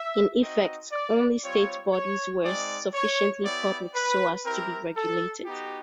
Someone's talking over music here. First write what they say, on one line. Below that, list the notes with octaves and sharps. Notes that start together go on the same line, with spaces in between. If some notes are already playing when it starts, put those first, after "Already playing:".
In effect, only state bodies were sufficiently 'public' so as to be regulated.
Already playing: E5
C4 D#4 F#4 D#5
D5
G3 C4 F4 C#5
C#5
G#3 C4 D#4 D5
C#5
B3 E4 G4 D5
B4
C4 E4 G4 A#4
A4
B3 D#4 F#4 G4